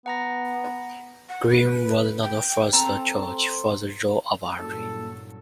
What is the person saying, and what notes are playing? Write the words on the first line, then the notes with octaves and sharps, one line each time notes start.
Greene was not the first choice for the role of Audrey.
B3 F#5 A#5 A#6
F#5
B4
G5
C4 A4 A#5
F#1 G2 A#2 F#3 A4